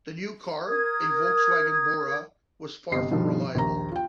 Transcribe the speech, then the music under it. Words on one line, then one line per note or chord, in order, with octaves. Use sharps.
The new car, a Volkswagen Bora, was far from reliable.
A#4 D#6 G#6
G1 C3 D#5 C7
G2 B2 D#3 F3
A#1 D#2 A#5
F4 G5